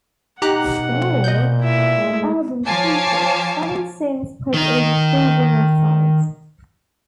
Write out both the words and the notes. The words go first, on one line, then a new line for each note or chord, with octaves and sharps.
In all, the album featured seven songs spread over four vinyl sides.
B2 D#4 G4 F#5 A#5 F#6
F2
A#2 D#5 G6
E4 E5
G#3 A3
F3 C#5 F5 G#5 A5 D6
D#3 D#4